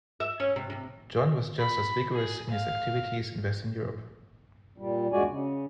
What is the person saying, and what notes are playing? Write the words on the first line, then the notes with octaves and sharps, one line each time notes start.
John was just as vigorous in his activities in Western Europe.
E5
C#4
C3
C3
B5
G#4
F5
A#2 G3
E2 G2 G#3 F#4 D5 G#5
C#3